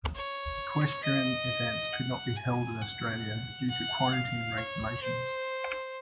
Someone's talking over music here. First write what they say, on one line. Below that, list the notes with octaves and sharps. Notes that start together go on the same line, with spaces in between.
Equestrian events could not be held in Australia due to quarantine regulations.
C#5
D#5
F#5
G#5
F#5
F#5
F5
C#5
C5